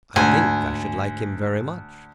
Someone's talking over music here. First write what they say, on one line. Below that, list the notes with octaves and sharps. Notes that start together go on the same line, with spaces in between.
"I think I should like him very much."
D2 G#2 G#5